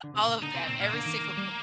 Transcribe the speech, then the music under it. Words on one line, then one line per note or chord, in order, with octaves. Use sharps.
All of them, every single one,
D3
C3
A#2
D3 D#4
C3 C4
A#2 C4
A#2 A#3
D3
D#3
G3